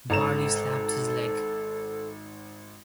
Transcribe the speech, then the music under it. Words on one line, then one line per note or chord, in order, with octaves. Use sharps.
Barley slapped his leg.
G#1 A4 A#5 E7